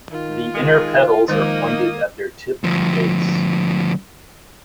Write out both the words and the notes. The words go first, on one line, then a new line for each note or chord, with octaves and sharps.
The inner petals are pointed at their tip and base.
D#3 F4
D#3 G#3
D#3 F3 G#3 A#3 D#4 C5 D#6
D2 F3